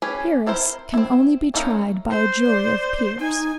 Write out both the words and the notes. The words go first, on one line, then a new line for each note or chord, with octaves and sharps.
A peeress can only be tried by a jury of peers.
C#4 G4 G#4 B4 G#5
C4 E4 A#4 C5
C4 E4
A#3 C#4 D#4 E4 A#4
C5
D5
D#4 G#5